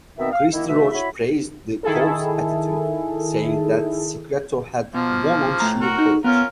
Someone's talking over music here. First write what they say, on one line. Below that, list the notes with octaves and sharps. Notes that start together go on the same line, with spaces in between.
Christy Roche praised the colt's attitude, saying that Secreto had won on sheer courage.
B2 D#3 B3 C4 D#4 E5
F5
D#3 A#3 E4
B2 A3 E5
E4 F#4 C#5 B5
D#3 E4 G#4 A4
B2 F3 A#3
A2 A3 A#5
F#4 A#4 F#5
D#4
B3 C#4 F4 A#4